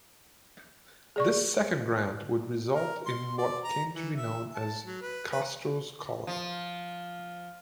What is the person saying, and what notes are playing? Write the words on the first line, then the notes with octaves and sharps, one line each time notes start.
This second grant would result in what came to be known as Castro's Colony.
G#4 D5 C#6
A#4
C6
D5
A#5
E3
E5
A5
F#3
B4
B4
F3